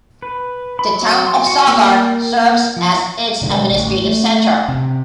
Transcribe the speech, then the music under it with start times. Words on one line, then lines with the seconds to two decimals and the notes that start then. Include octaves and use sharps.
The town of Sagar serves as its administrative center.
0.22 B4
0.79 B5
0.96 F#3
1.27 C6
1.47 F#4
1.67 A#3
2.76 F3
3.42 B2 D3 E3 G#3
3.71 A1 D2
4.04 A3
4.68 C3